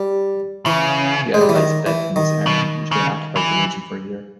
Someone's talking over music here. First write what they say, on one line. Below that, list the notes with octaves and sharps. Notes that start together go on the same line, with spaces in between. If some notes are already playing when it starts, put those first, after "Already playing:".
The Adalites fled from this army, which then occupied the region for a year.
Already playing: G3
C#3 E3
G#3
G3
E3
D#3
E3
D#3
B2
C#3
E3